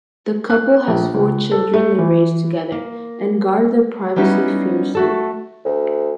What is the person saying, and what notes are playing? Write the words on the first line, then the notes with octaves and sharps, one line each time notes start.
The couple has four children they raise together, and guard their privacy fiercely.
F#6
A#1
C#2
A4
A3
E3
A#3
G3 B3 C#4 D#4 E4 F#4
A3 F#4 A4
D2